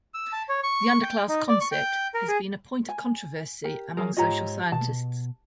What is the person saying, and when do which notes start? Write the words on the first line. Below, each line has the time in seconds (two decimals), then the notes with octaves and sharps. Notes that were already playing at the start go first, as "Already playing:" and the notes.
The underclass concept has been a point of controversy among social scientists.
0.14 E6
0.32 A5
0.49 C#5
0.63 C#6
1.03 G5
1.29 D#4
1.48 D5
1.61 C#6
1.72 G5
2.14 A#4
2.28 G#4
2.89 G#5
3.64 G4 A#4
3.97 F#3 G#4 A#4
4.17 G#2 F4 G4 C#5 D#5 A#5
4.72 B2 A5